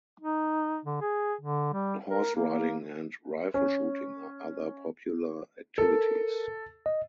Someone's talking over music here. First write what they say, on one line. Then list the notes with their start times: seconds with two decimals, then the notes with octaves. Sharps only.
Horse riding and rifle shooting are other popular activities.
0.21 D#4
0.85 D3
1.01 G#4
1.41 D3
1.73 G3
2.10 A#4
2.36 A#3
3.54 C#4
5.78 A4 A#4
6.86 D#5